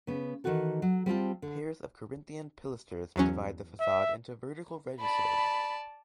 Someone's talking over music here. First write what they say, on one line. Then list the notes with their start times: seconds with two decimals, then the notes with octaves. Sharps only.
Pairs of Corinthian pilasters divide the facade into vertical registers.
0.07 C#3 B3
0.44 D#3 E3 E4 F#4 A4
0.82 F#3
1.06 G3 C4 F4 A5
1.42 D3
3.16 E2 F#3 C#4
3.80 E5
5.01 D5 A5 B5